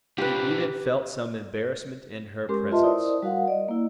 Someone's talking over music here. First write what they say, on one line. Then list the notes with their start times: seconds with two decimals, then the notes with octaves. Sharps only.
He even felt some embarrassment in her presence.
0.18 D4 F4 G4 B4 C5
2.49 G#3 C#4 G4 A#4 C6 D6
2.71 F4 B4 D#5 E5 A5 C6
2.83 E4 A#4 C5 D5 D#6
3.22 G3 F#4 A#4 F5 F#5
3.48 D5 D#5
3.68 A#3 E4